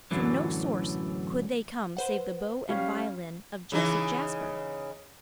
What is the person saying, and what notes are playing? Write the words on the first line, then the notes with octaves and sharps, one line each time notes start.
From no source could they come save the bow and violin of Joseph Jasper!
F#2 A2 D3 E3 F#3
B4 C5 F#5
G3 C#4 F5
C#3 E3 D#4